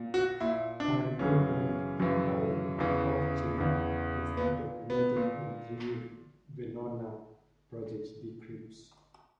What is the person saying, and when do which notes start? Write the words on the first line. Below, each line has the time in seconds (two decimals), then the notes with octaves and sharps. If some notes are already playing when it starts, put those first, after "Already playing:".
Her recruitment by Wovschin is documented in three Venona project decrypts.
Already playing: A#2
0.14 F#4
0.40 A#2 E4
0.80 D4
1.19 F#2 C#3 E3 C#4
2.00 F#2 C#3 E3
2.79 E2 C#3 E3
3.58 E2 C#3 E3
4.37 A#2 B3
4.90 B3
5.16 A#2